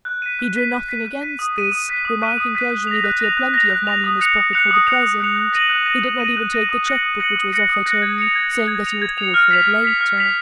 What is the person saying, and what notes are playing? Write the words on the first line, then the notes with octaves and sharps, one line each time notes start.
He drew nothing against this, remarking casually that he had plenty of money in his pocket for the present: he did not even take the cheque-book which was offered him, saying that he would call for it later.
F#6
B6 D#7
F#6
B6 D#7
F#6
B6 D#7
F#6
B6 D#7
D#6
F#6 B6 D#7
D#6
F#6 B6 D#7
D#6
F#6 B6 D#7
D#6
F#6 B6 D#7
F#6
A#6 F7
F#6
A#6 F7
F#6
A#6 F7
F#6
A#6 F7
D#6
F#6 C#7 F7
D#6
F#6 C#7 F7
D#6
F#6 C#7 F7
D#6
F#6 C#7 F7
F#6
A#6 D#7 F#7
F#6
A#6 D#7 F#7
F#6
A#6 D#7 F#7
F#6
A#6 D#7 F#7
D#6
F#6 A#6 C#7 F#7
D#6
F#6 A#6 C#7 F#7
D#6
F#6 A#6 C#7 F#7
D#6
F#6 A#6 C#7 F#7
G#6
C#7 F7
G#6
C#7 F7
G#6
C#7 F7
G#6
C#7 F7
F6
B6 F7
F6
B6 F7
F6
B6 F7